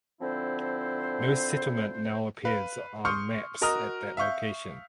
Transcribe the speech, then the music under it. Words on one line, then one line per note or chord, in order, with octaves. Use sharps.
No settlement now appears on maps at that location.
D3 F3 C4 E4 C5
B4 F5
C6 C#6 D#6 F6 G6 C#7
F#4 A#4 D#5 A#5 D#6 F6
E5 F5 C#6 G6